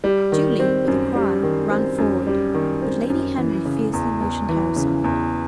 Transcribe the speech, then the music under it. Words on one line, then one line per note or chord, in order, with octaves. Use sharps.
Julie, with a cry, ran forward, but Lady Henry fiercely motioned her aside.
G3
D#3
C4
F#2
G3
D#3
C4
F#2
G3
D#3
C4
F#2
E3
C#3
E2
E2
E3
C#3
E2